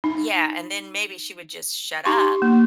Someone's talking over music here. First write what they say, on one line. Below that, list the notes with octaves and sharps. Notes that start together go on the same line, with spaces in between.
Yeah, and then maybe she would just shut up
D#4
D#4 G4 C6 C#6
A#3